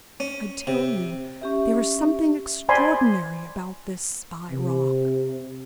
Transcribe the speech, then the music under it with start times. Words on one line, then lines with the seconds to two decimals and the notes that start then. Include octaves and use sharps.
I tell you there is something extraordinary about this Spy Rock.
0.20 C#4
0.67 C3
1.42 C#4 G4 E5
2.69 C5 D5 G#5 B5 C6
4.51 C3